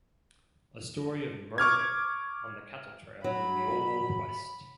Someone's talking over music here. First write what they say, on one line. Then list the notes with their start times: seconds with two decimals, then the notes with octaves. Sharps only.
A story of murder on the cattle trail in the old West.
1.58 C#6 D6 F6 G#6
3.24 F#3 B5